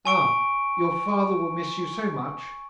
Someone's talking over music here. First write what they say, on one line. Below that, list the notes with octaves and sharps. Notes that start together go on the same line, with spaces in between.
'Ah,--your father will miss you so much!
G#5 C#6 D7